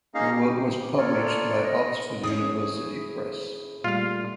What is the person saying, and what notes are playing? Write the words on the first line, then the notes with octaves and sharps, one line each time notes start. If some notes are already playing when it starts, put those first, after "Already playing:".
The work was published by Oxford University Press.
A#3 C#4 D#4 G#4 D#5 F5
G4
F4 A4 A#4 C#5 D5
D#5
C#4 E4 G#4 D#6
A#2 G3 A3 F4 F5